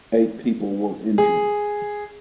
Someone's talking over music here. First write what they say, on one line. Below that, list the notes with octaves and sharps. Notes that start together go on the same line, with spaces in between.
Eight people were injured.
G#4